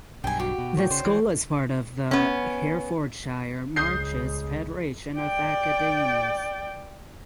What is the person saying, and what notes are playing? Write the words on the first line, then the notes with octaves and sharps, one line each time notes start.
The school is part of the Herefordshire Marches Federation of Academies.
B1 G2 G5 G#5
F#4 G4
B2
A2 C#5 D5 G5
C#3 C5
E3
B3 C#4
C#2 D#6 G6 C7
D5 G5